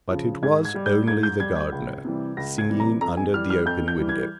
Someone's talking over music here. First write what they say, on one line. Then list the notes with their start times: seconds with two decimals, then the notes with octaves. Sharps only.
But it was only the Gardener, singing under the open window.
0.10 C#3 F3
0.43 G#2 G#6
0.65 G#6
0.75 G3
0.86 G6
1.07 G#2 G#6
1.23 G6
1.40 G3 G#6
1.56 G#6
1.72 C#2
2.05 C3 E3 G3
2.37 C#2 A#6
2.58 G#6
2.70 C3 E3 G3
2.80 A#5
3.01 F2 A#5
3.17 G#5
3.34 E3 G3 F6
3.50 F6
3.66 F2 G6
3.88 G6
3.99 E3 G3
4.09 G#6